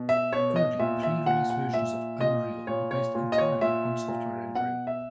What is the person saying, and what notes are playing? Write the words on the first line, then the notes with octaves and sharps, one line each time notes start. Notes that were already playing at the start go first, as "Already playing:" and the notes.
Early pre-release versions of "Unreal" were based entirely on software rendering.
Already playing: B2
E5
B2 C#5
D#5
A#2 E5
E5
A#2 F#5
F#5
A#2 E5
A#2 D#5
A#2 C#5
C#5
A#2
D#5
C#5
A#2 E5
A#2
B2 F#5
E5